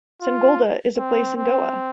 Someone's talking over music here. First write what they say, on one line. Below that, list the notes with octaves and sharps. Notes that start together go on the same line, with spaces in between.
Sangolda is a place in Goa.
F4
C4
C4